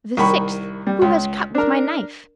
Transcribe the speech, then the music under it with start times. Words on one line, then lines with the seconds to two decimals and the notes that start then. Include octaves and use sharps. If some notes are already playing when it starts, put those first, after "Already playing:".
The sixth, "Who has cut with my knife?"
0.17 C2 D#3 B5 C#6
0.87 G3
1.02 C#2
1.55 D4 A#4